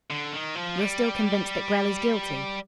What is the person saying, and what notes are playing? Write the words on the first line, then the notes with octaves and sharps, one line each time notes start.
"You're still convinced that Grell is guilty?"
D3
D#3
F3
G3